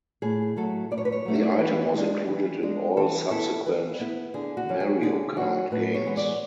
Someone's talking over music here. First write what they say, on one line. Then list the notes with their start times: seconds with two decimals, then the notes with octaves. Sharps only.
The item was included in all subsequent "Mario Kart" games.
0.22 A2 G#4
0.56 F#3 A3 E4 A4
0.91 A2 D5
0.98 C#5
1.05 B4
1.12 C#5
1.25 F#3 A3 E4
1.35 E5
1.42 D5
1.52 C#5
1.59 E3 B4
1.94 G#3 D4
2.28 E3
2.63 G#3 D4
2.97 E3 A4
3.31 B3 E4 A4
3.66 E3 B4
4.00 B3 E4
4.34 D3 G#4
4.57 F#4
4.69 F#3 C#4
4.80 G#4
5.02 D3 G#4
5.36 F#3 C#4 F#4
5.71 A2 B4
5.94 C#5
6.06 E3 G#3 B3
6.17 D5